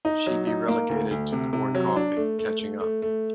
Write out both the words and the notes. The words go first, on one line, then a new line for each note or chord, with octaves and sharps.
She'd be relegated to pouring coffee, catching up.
D#4
F#3
D#4
A#3
D2
D2
C3
C3
F#3
D4
A3
A3
A3
A3
A3